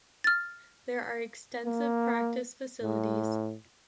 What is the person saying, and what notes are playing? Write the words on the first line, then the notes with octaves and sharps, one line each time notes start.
There are extensive practice facilities.
F6 A6
A#3
A2